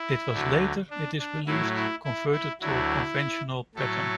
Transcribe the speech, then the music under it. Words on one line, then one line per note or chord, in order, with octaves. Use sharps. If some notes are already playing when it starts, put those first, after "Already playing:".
It was later, it is believed, converted to a conventional pattern.
Already playing: E4
D2 D3 F#3
D4
D4
A2 F#3 E4
E4
E4
E4
D2 D3 F#3 E4
A2 F#3 A4